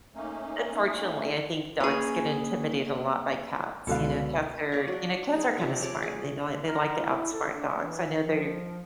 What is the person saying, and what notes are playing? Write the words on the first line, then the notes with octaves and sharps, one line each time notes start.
unfortunately, I think dogs get intimidated a lot by cats. You know, cats are you know, cats are kinda smart, they know they like to outsmart dogs, I know they're
A3 A#3 C#4 D#4
A#3 C#4 G#4 B4
C#2 B2 D3 G#3 A4 B4 F5
D5 F5 C#6
F#3 D4
D#4 G#4
C3 F3 D4 E5
G#4 C#5 D5 A5
G#4
A#4
E4
A4
D4
E3
F3